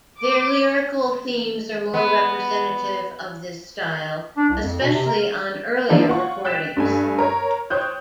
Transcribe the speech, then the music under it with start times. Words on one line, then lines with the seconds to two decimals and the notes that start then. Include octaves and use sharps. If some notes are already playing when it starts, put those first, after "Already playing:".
Their lyrical themes are more representative of this style, especially on earlier recordings.
0.19 D6
1.94 B3
4.37 D4
4.49 C2
4.63 F2
4.80 B2
4.92 C3
5.06 A#4
5.89 F3 A#3 B3 D4 E4
6.08 F4 F#5 C#6
6.45 G5 F#6 A6 B6 E7
6.77 G2 A3 G#5
7.19 A#4 C#5
7.70 C5 C#5 G5 D#6 F#6 G6